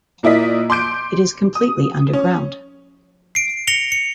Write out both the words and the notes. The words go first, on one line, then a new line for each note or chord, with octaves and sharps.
It is completely underground.
A#2 A#3 E4 D5 D#5 B6
C6 D6 G6 D7
D#6
C#4
C7 D7
A#6 C#7 F7 G7
C#7